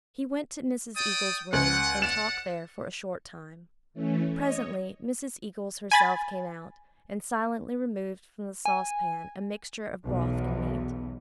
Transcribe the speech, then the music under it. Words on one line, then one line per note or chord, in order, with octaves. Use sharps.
He went to Mrs. Eagles' room and talked there for a short time. Presently Mrs. Eagles herself came out and silently removed from the saucepan a mixture of broth and meat.
D5 G5 D#6
C#2 F#5
D5 F#5 E7
E3 A3 C#4
C#5 D#5
G#5 B5 A6
G#5
B1 E2